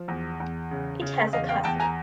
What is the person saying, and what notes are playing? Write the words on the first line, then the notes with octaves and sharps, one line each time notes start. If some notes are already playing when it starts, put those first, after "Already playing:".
It has a castle.
Already playing: F3
E2
E2
C#3
C#3
E2 D#5 F5
F5 G5
E2 G5 A5
G#5 A#5